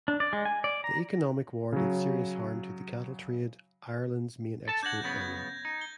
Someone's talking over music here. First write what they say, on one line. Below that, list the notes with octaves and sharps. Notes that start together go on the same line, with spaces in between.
The economic war did serious harm to the cattle trade, Ireland's main export earner.
D4
D5
G#3
G#5
D5
A#5
C#3 F#3
A4 A5
D4 F#5 G6 G#6 A#6
F#2 C#3 B3
D#4
G7